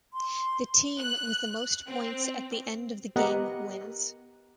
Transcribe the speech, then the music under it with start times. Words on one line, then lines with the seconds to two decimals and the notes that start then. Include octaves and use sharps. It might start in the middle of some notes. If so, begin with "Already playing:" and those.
The team with the most points at the end of the game wins.
0.14 C6
0.99 F#6
1.86 C4
3.16 B3 G4 A#4 D#5 F#5